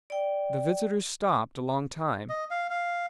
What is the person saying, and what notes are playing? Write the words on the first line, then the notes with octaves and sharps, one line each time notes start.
The visitors stopped a long time.
D5 G5
D#5
F5
F5